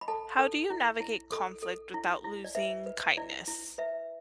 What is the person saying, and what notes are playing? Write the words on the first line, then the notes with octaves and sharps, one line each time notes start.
How do you navigate conflict without losing kindness?
B5
A4 A5
A4
E4
E4
A4
A4
E4
E4
D5
B4 E5
B4
E4 D5
E4
B4 E5